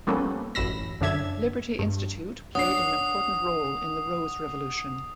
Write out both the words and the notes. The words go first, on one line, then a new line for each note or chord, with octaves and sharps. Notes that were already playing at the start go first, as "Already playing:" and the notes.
Liberty Institute played an important role in the Rose Revolution.
F3 G3 A#3 B3 C#4 A4
A1 F#2 B5 E6 A#6
F#2 D3 D4 E5 G#6 E7
G2
D4 C#5 F#5 D#6 C7